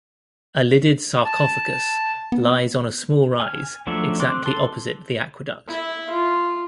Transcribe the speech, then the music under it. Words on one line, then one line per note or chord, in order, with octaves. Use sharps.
A lidded sarcophagus lies on a small rise exactly opposite the aqueduct.
A5
B3
G#5 F6
F3 F#3 A3 D4 E5
C4 C6 D6 F#6
A4 C6
E4 E5
F4